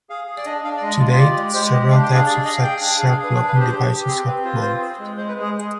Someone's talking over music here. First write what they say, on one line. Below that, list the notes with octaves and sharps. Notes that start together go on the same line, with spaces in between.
To date, several types of such self-locking devices have evolved.
G#4 F5
G#4
D5
D4 D#5
D4 F5
D5
G#3 D#5
F4
D#5
G4 D5
G#3
G#3 C5
G4 D#5
D4 F5
G5
G#4
F5
G#4 D5
G#4 D#5
F5
G#4 G5
D4
G#4 F5
F5
G#4
B4
D4 B4
B4
G4
C5
G4
G4
C4 G#4
C4 B4
F4 C5
B4
C4 C5
G#4
G#3
G#3 C5
B4
G#3
G#4
G#3 G#4